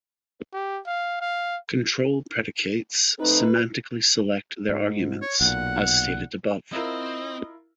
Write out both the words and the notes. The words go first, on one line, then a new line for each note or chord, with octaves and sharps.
Control predicates semantically select their arguments, as stated above.
G4
F5
F5
A3 C4 D#4 B4
G#2
C#5
B1 A#2 F#5
C4 E4 F4 A#4 D#5